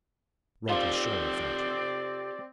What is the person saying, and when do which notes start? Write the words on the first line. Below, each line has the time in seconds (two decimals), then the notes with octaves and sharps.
Rod was sure of that.
0.69 C4 F4 G4 A4 C5 D5